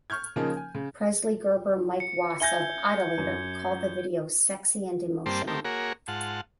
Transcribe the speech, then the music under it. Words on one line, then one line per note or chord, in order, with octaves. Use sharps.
Presley Gerber Mike Wass of "Idolator" called the video "sexy and emotional".
C#6 F6 G6 G#6
C#3 F3 A#3 C#4 D#4
G#5
C#3
C#7
E5 G#5 G6 G#6 A#6 G7
F#2
G2 G3 A#3 C4 C5 A5
A3 C4 G4 A#4
A#3 F#4 G#4 A#4 C#5
G#2 F4 F#5 A5